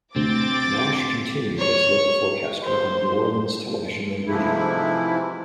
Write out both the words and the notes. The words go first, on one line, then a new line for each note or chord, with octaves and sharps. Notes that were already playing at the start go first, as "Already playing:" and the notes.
Nash continued as a local forecaster on New Orleans television and radio.
D2 C4 D6 A6
C#5
C5
G#2 C3 E3 F3 A3 E4